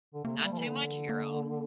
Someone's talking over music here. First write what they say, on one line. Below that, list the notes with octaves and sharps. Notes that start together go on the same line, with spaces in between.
not too much of your own."
D3
C3 A#3
A3
G3
F3
E3
D3
A#3